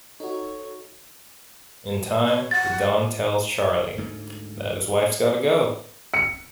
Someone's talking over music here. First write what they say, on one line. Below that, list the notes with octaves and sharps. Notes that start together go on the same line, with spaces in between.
In time, the don tells Charley that his wife's gotta go.
D#4 F#4 A4 C#5
C#5
F#5 A6
D2 G#2 A3
C#7